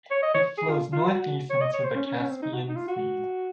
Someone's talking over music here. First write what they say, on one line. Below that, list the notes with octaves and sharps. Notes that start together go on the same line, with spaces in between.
It flows northeast into the Caspian Sea.
C#5
D#5
C#5
G#4
F4
F4
F#4
F#4
C#5
D#5
C#5
C5
C#4
C#4
C#4
C4
D#4
F#4
D#4
F4
F#4